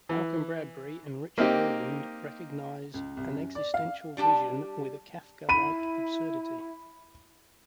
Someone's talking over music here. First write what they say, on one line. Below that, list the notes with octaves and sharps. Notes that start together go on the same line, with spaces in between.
Malcolm Bradbury and Richard Ruland recognize an existential vision with a "Kafka-like absurdity".
E3
A#3 C4 D#4 G4
C#2
C2
F#2
D5
F5
G3 D4 G4 A5
E4 B5 D#7